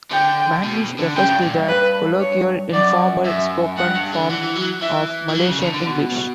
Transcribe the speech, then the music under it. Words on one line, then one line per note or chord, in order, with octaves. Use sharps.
Manglish refers to the colloquial, informal spoken form of Malaysian English.
D3 G5
B2
D3
C#3 G5
G2
A#2
G2
B4
C#5
F#2 D5
F#2 E5
G2 F#5
G2
D3
E3 F#5
E3
F#3
E3 E5
E3
F#3
C#3
D3
D3
B2